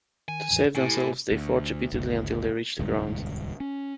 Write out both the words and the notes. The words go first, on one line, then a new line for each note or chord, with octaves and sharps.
To save themselves, they fart repeatedly until they reach the ground.
D#3 G#5
E2 A2 E3
A2 E4 G4 G#5
D2
G1 C#2
D#1 C#2 G2
C#4